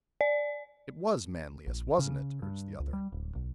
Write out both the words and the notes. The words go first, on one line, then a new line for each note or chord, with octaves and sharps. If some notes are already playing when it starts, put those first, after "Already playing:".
"It was Manlius, wasn't it?" urged the other.
D5
A#1
C#3
G2
C#2
G3
D1
B1